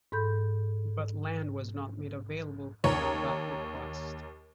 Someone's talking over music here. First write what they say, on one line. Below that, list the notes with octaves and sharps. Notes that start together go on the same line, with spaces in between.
But land was not made available per that request.
G#2 A4 B5 G6
D#2 C#5 A#5